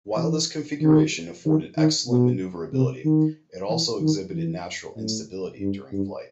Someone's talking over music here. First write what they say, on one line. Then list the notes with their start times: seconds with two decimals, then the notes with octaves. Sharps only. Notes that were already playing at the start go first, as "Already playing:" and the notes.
While this configuration afforded excellent maneuverability, it also exhibited natural instability during flight.
0.17 E3
0.82 D#3
1.46 D#3
1.77 D#3
2.09 B2
2.73 C3
3.05 D#3
3.69 E3
4.01 D#3
4.32 E3
4.97 A2
5.60 G2
5.92 G2